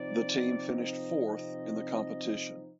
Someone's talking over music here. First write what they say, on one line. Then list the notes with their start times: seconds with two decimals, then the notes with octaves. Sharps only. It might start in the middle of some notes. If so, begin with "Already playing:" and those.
The team finished fourth in the competition.
Already playing: C3 F3 C4 D#4 D5
0.67 D#5